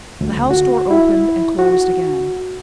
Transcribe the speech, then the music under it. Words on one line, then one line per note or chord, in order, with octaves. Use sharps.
The house door opened and closed again.
D2
F#4
E4
F#4